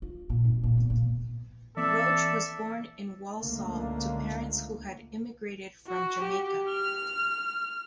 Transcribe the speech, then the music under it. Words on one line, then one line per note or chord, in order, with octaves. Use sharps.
Roach was born in Walsall to parents who had immigrated from Jamaica.
F4
A#2
G#1
A#2
E2
A#2
E3 A#3 C4 A4 D5 E5
C#2 D3 A3 A#3
F#4
G4
F6